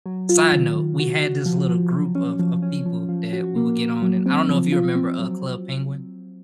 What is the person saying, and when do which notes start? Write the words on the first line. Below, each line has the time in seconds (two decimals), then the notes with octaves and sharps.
side note, we had this little group of of people that we would get on and I don't know if you remember, uh, Club Penguin?
0.06 F#3
0.29 F4
0.52 D#3
0.76 D#3
0.99 F#4
1.22 F#4
1.46 F3
1.69 F3
1.93 F#3
2.15 C#4
2.39 F3
2.62 C#4
2.86 F3
3.09 F3
3.33 F#4
3.56 A#3
3.79 A#3
4.02 F#3
4.26 C4
4.49 F3
4.72 F4
4.96 C4
5.19 F#3